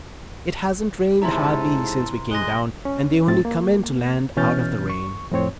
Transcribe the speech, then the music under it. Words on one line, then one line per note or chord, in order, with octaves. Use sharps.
"It hasn't rained hardly since we came down, and they only come in to land out of the rain."
G#2 C3 E4 A4 C#5 A#5 C6
G#3 D#6 F#6 A#6 G7
C#4
A2 C4 A6
A#3
B2 E3 C#4 F6 G6 A6
C#6
F2 A2 C4 C#5